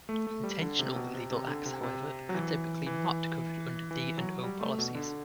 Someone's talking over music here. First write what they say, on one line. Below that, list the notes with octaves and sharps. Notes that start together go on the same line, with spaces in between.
Intentional illegal acts, however, are typically not covered under D and O policies.
A3
A3
G3
D3
C3
B2
C3
C3
D3
C3
C3
F#3
E3
E3
E3
F#3
G3
A3
B2
D3